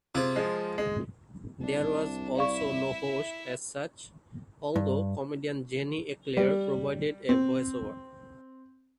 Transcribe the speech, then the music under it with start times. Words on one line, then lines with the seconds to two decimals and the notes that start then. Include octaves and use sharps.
There was also no host as such, although comedian Jenny Eclair provided a voiceover.
0.15 C3 F4 G#4 C5
0.36 F3 G#3
0.78 G#3
1.63 C2 D4
2.37 E4 D5 E5 F5 C#6
4.76 G2
6.37 G3
7.29 C4